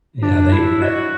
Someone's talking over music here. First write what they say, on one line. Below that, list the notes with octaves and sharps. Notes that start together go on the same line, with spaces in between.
Yeah, they tha
D4
E4
F#4